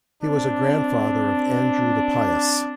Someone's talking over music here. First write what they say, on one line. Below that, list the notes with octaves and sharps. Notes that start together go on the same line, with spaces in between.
He was a grandfather of Andrew the Pious.
C4 D4